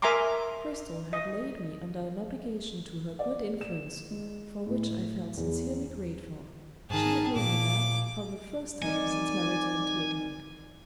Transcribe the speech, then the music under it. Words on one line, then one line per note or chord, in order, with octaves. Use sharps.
Cristel had laid me under an obligation to her good influence for which I felt sincerely grateful--she had made me laugh, for the first time since my return to England.
A#4 E5 G#5 A#5 C6 D6
D#5
D5
E7
G#3
A2
E2
G#2 D#3 G#4 A5
A#2 D6
D#3 E3 G3 C4 D#4 D5 G#5